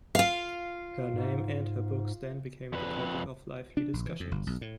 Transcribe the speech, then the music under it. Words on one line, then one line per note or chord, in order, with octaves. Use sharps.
Her name and her books then became the topic of lively discussions.
F4 F5
G#2
F2 B4
D4
A#1
E3
F2
G1
B1
A2